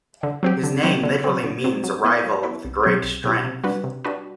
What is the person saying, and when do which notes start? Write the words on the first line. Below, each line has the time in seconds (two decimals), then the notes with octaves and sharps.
His name literally means "arrival of the great strength".
0.23 D3
0.43 F#3 C4 G4
0.63 D3
0.83 F#3 C4 G4
1.03 D3
1.24 F#3 C4
1.44 D3
1.64 F#3 C4
1.84 F#3
2.04 B3 E4 B4
2.24 F#3
2.43 B3 E4 B4
2.64 C2
2.83 B2 F#3 C4 G4
3.03 C2
3.24 B2 F#3 C4 G4
3.44 C3
3.64 G3 D4 F#4 B4
3.84 C3
4.05 G3 D4 F#4 B4